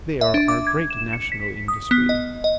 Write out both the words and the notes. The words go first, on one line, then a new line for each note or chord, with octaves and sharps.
"They are our great national industry."
E5
D4
D6
G#6
E7
C#7
B6
D#6
B3
D#5
D#5